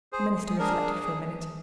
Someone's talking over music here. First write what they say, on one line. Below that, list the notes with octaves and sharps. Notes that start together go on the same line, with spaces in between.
The minister reflected for a minute.
G#4 C5
G#4
D4 G#4 A#4
G#4